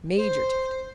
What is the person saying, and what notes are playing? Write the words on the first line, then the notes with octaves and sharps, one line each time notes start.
"Major Tifto."
C5